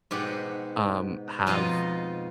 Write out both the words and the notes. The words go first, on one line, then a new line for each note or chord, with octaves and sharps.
um, have
G#2 B2 G4 F#5
F2 B2 D#4 F4 D#5 F5